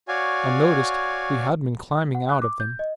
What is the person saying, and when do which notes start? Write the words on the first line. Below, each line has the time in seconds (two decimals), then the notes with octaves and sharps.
Unnoticed, we had been climbing out of them.
0.08 F#4 C#5 D5 F5 G#5
2.15 F#5
2.29 F#6
2.42 D6
2.60 G6
2.79 D#5